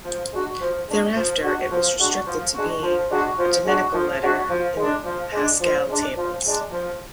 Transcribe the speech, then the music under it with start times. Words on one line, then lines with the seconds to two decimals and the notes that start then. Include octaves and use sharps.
Thereafter it was restricted to being a dominical letter in the Paschal tables.
0.04 F3
0.32 G#3 D4 F#4
0.60 F3
0.87 G#3 D4 F#4
1.15 F3
1.43 G#3 D4 F#4
1.71 F3
1.99 G#3 D4 F#4
2.27 F3
2.54 G#3 D4 F#4
2.82 F3
3.10 G#3 D4 F#4
3.38 F3
3.66 G#3 D4 F#4
3.93 F3
4.21 G#3 D4 F#4
4.49 F3
4.77 G#3 D4
5.04 F3
5.32 G#3 D4
5.61 F3
5.88 G#3 D4
6.16 F3
6.44 G#3 D4
6.71 F3